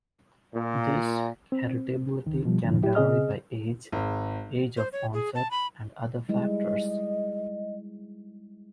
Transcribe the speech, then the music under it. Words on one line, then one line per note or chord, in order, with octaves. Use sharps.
This heritability can vary by age, age of onset, and other factors.
A#2
C4
C#2 D#3
B2 F3 G3
E2 G2 A#2 D3 D#3 F3
F#3 E4 G4
C#3 C4 G#4 D#5 F6
G#1
C5
C#5
G#4
A5
B5
G3 G#3 E4 D#5